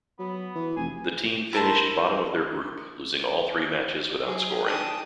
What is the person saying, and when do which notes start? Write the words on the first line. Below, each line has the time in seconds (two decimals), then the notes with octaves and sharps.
The team finished bottom of their group, losing all three matches without scoring.
0.19 F#3 B3
0.55 E3
0.77 F1 G#5
1.53 E4 A#4 C5 A5
4.26 F#3 G#4
4.65 D4 D#4 G5 A5 D#6